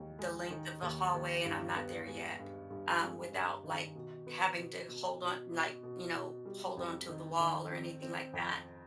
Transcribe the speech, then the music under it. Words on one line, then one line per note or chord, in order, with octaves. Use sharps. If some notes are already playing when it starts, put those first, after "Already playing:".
the length of the hallway- and I'm not there yet- um, without, like, having to hold on like, you know, hold on to the wall or anything like that
Already playing: D#2 G#3
G#3
D#3
D#2
D#2
G2
B3
G#3
G2
G2
G#3
G2
D#3
B2
B3
B2
B2
B2
B2
B2
B2
G3
F2
D#3
D#3
C4
C4
F2